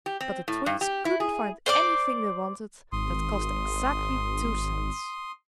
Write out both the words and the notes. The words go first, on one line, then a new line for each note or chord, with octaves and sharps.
But the Twins couldn't find anything they wanted that cost exactly two cents.
G4
C4
A2
G2
G4
E4
G#4
C5 D5 D6
G#1 C6 D#6